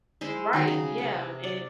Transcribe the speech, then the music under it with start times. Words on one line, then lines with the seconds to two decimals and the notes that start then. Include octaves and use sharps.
right, yeah, and
0.21 G#3 E4 C5
0.53 D#3 F#3 G#4
0.68 C#3
0.98 C3
1.44 D5